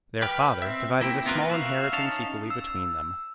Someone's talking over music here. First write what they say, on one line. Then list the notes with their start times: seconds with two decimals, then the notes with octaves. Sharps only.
Their father divided a small inheritance equally between them.
0.22 B4 G5 F6
0.62 C4 E5
1.01 A#3 E4 G5
1.26 B3 C4 F4 A#4 B4
1.50 F#4 E5 F5
1.93 C#4 D#4 F5 A5
2.50 E6